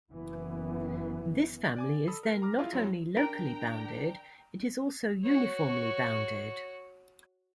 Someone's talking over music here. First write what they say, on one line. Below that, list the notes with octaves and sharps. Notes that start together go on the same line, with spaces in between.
This family is then not only locally bounded, it is also uniformly bounded.
F#1 E3 B3
D5 G#5 D6
A4 B5 D#6 E6
A#4 A#6
A#5 D6 F6
E4 F4 G#4 F5
F2 F#3 E4 C#5 C6
D4 A#4 G5 A#5
F#4 C#5